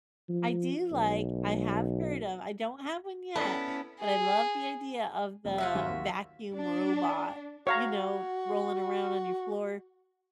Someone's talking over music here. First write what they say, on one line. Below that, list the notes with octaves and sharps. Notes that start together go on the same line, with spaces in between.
I do like I have heard of I don't have one yet, but I love the idea of the vacuum robot, you know, rolling around on your floor,
F3
B1
B3 C#4 E4 A4 D5 A5
G#4
F1
F4 F#4 E5
G#1 F#3
D#2
D4
F#4 C#5 F5 A#5